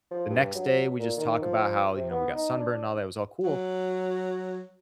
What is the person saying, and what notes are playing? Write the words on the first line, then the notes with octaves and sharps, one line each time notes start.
The next day, we just talk about how, you know, we got sunburned and all that, it was all cool.
F3
G2
F#3
A#2
D#3
F3
C3
B3
D#4
D4
F#3